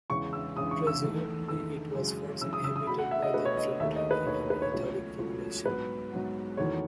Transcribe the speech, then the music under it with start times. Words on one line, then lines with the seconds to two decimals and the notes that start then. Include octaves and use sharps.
Presumably, it was first inhabited by the Frentani, an Italic population.
0.10 E2 C#3 G#3 C#6
0.33 E6
0.56 E2 C#3 G#3 D#6
0.71 C#6
0.87 E6
1.02 E2 D#3 A3
1.48 E2 D#3 A3 E6
1.95 F#2 C#3 E3 G#3
2.41 F#2 C#3 E3 G#3 E6
2.53 D#6
2.64 E6
2.76 D#6
2.87 B2 B5
2.91 A3
2.99 F#5
3.11 E5
3.22 D#5
3.34 B2 A3 B4
3.45 C#5
3.57 D#5
3.80 D#2 E5
3.83 D#3 A3
3.96 D#5
4.11 B4
4.26 D#2 D#3 A3 C#5
4.50 B4
4.62 C#5
4.73 C#2 B2 F#3 A3
5.19 C#2 B2 F#3 A3
5.65 G#2 F#3 B3 B4
6.12 G#2 F#3 B3
6.57 E2 D#3 F#3 A3 C#5